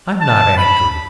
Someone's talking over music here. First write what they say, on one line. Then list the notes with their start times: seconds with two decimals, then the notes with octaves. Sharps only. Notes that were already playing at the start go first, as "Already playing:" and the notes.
I am not angry.
0.21 A5
0.57 B5